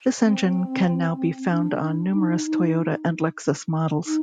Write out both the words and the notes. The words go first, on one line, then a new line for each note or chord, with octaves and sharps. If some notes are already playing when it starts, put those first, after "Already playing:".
This engine can now be found on numerous Toyota and Lexus models.
C4
D4
D4
D#4
D#4
D#4